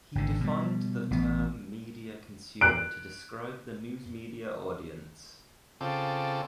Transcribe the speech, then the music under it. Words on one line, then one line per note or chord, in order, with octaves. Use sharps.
He defined the term media consumer to describe the news media audience.
G#1 D3
B2 G3
A1 B3
F#6 D7
C#3 C4 F4 A4 D5